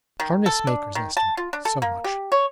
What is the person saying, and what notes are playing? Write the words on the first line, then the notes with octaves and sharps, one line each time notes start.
Harness-maker's estimate, so much.
D#3
A4
D4
D#3
A5
F4
D4
A4
A#3
G4
C#5